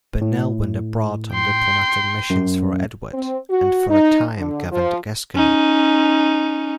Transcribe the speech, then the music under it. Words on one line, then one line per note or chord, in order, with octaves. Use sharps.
Burnell went abroad on diplomatic missions for Edward, and for a time governed Gascony.
A2
G5 C6
F#2
C4
F#4
D#4
D3
F3
C#4 D#4